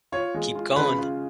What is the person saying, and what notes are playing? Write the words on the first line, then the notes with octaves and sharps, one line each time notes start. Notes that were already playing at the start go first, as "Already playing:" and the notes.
Keep going.
F4 C#5
G#3
F4
C#3 B4
F4